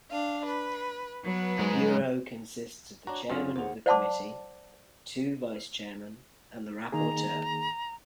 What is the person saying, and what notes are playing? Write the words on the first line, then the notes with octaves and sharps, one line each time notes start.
The Bureau consists of the Chairman of the Committee, two Vice-Chairmen and the Rapporteur.
D4 F5
B4
F#3 B3 B4
G#2 G#3
D4 F#4 C#5 A#5
F#2 D3 C4 C#4 F4 G#4 C6 F6
D#2 G#4 C5 F#5
C5 D5 F#5 A5 C6 D6
D#3 A#3 G#4 A#5